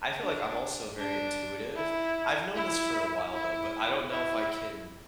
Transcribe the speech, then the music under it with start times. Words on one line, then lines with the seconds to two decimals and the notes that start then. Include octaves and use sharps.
I feel like I'm also very intuitive. I've known this for a while, though, but I don't know if I can
0.21 D4
0.98 D4
1.76 E4
2.55 E4
3.33 E4
4.10 E4